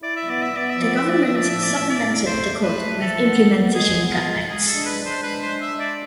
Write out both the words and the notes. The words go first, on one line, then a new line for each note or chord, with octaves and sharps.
The government supplemented the Code with Implementation Guidelines.
E4 D5
E5
B3 D5
E5
B3 D5
E5
F3 D5
E5
F3
D5
F3 E5
D5
A2 E5
D5
A2 E5
D5
A2
A3 C5
A3
B4
A3
F3 A4
B3
B3
G#3 G#4
B3
F4
G#3
G#3 G#4
A4
D4
B4
D4
C5
G#3 B4
C5
D4
E5
G#3
D5